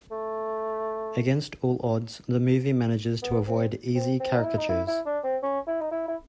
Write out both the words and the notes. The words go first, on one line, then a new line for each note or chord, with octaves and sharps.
Against all odds, the movie manages to avoid easy caricatures.
A3
B3
C4
C4
C4
D#4
E4
D#4
E4
E4
D4
C4
C#4
E4
D#4
E4
E4